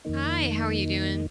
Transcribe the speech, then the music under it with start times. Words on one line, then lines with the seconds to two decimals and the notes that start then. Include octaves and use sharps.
Hi, how are you doing?
0.05 F2 D#3 A#3 D#4